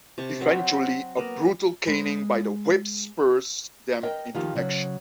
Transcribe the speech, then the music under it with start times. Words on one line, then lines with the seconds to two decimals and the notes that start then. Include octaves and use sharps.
Eventually, a brutal caning by the Whips spurs them to action.
0.18 C3 A5 C#6
0.41 F#3 C4 F#4
1.17 A#3 B3 A#4
1.86 G#3 B4
4.03 A#4 D#5 G5
4.34 D#3 F3 F4 G4
4.55 C#3 F#3